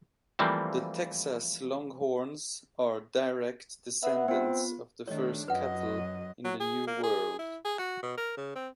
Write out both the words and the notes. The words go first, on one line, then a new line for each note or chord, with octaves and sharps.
The Texas Longhorns are direct descendants of the first cattle in the New World.
E3 F3 G3 A3 A#3 C4
B3 E5 F#5
B3 C4 F4
D#3 A3 D4 C#5 D#5
F#2 F#3 B4 D#5 F#5
F#3
G#4
A#3
G#4
E4
G#4
F#4
B2
A#4
C#3
C4